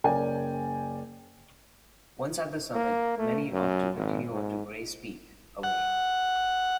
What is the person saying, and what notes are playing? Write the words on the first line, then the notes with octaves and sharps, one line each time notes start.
Once at the summit, many opt to continue on to Grays Peak, away.
F#1 C#4 A#4 D5 G5 G#5
A#3
A3
F#2
G#1
G#2
F#5